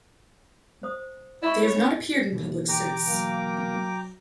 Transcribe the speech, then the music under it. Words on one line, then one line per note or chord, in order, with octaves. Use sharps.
They have not appeared in public since.
C5 D#6
E4 D#5 B5 C#6
C#5
D4
D#2 B2 D3 E3
G4 G5 A#5 D6
F#3 A#3